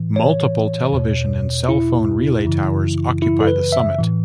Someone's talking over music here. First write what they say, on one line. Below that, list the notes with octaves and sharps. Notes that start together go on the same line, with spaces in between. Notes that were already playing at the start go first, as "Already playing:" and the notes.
Multiple television and cell phone relay towers occupy the summit.
Already playing: A2 E3
C#5
E2 B2
E4
F#2 C#3 E3
E4
A4
B4
E5
A2 E3